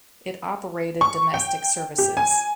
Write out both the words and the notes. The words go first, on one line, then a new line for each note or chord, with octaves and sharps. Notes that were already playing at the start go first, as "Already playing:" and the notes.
It operated domestic services.
C#6
G5
G4
G#5